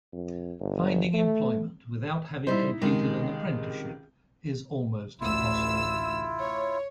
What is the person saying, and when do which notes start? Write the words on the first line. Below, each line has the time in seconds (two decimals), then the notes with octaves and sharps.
Finding employment without having completed an apprenticeship is almost impossible.
0.13 F2
0.60 G1
1.14 A3
2.47 G3 D#4 E4 C5
2.82 C#2 C3 D#3 G#3
5.20 A1 D2 E4 F4 E6
6.40 C#5